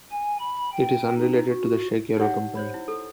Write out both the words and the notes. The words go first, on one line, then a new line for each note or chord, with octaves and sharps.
It is unrelated to the Czech Aero company.
G#5
B5
G5
D#4
F#4
D#4 G4 C#5 F#5
C5 C#5 B5
E4
A4